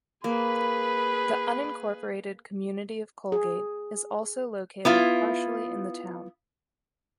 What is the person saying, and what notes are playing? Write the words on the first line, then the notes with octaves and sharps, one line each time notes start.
The unincorporated community of Colgate is also located partially in the town.
A#3 G#4 B4 B5
G#4
B3 E4 F4